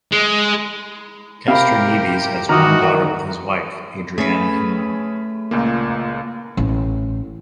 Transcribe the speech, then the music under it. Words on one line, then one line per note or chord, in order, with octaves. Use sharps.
Castroneves has one daughter with his wife, Adriana Henao.
G#3
C3 G4 A#4 F5 B5
D#3 E3 F#4 A#5 D6 D#6 F6
A3 C#4 G#4 B4
C#2 A#2 A#3
A1